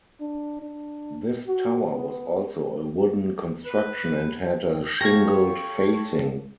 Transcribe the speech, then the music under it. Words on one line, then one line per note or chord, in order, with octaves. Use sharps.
This tower was also a wooden construction and had a shingled facing.
D4
D4
F#4
B3
B4
G4 A4 C#5 F5 G#6 A#6